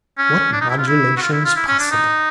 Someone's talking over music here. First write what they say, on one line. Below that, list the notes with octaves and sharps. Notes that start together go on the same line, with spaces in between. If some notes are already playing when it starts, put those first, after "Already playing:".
What modulations possible!
C#4
D4
D#4
E4
F4
E4
F#4
F4
E4
F4
E4
C#4
D4
D#4